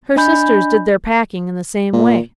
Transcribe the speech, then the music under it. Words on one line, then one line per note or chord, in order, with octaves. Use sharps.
Her sisters did their packing in the same way.
D4 D#5 G#5 B5 G6
A#2